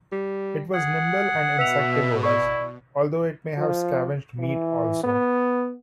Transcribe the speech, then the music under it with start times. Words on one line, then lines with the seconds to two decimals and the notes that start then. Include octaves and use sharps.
It was nimble and insectivorous, although it may have scavenged meat also.
0.12 G3
0.74 G#4 F#5
1.59 B2 B4 E5 F7
2.23 E4 D5 C#6
3.58 F3
4.39 E3
5.03 B3